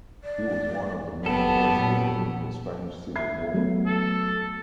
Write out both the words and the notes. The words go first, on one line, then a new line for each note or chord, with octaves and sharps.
He was one of the main investors during the Spanish Civil War.
D5
F#1 B3 G4 A4 A5
A#2 F#3
E5 G#6 C7
F#3 A3 B3
A4